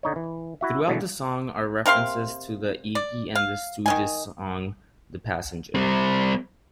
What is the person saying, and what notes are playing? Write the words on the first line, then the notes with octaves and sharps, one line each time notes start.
Throughout the song are references to the Iggy and the Stooges song, "The Passenger".
D3 D#4 C#5
E3
E4 F#4 E5
B2 D3 E3 G#3 A3
C3 A#4 F5 C6
D5
F5
D#3 D#5 G#5
G3 C4